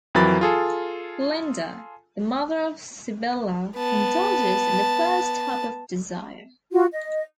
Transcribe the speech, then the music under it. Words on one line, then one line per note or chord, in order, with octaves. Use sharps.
Linda, the mother of Sibylla, indulges in the first type of desire.
F2 E3 F#3 A#4 B5 A6
F4 G#4 A4
B3 A5
F4 F#4
D#5